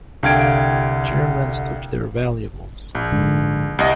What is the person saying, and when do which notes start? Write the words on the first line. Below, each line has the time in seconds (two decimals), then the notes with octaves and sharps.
Germans took their valuables.
0.23 C2 D3 F5 G5 G#6 D7
2.95 A#1
3.12 G#2 D3
3.79 C2 D#5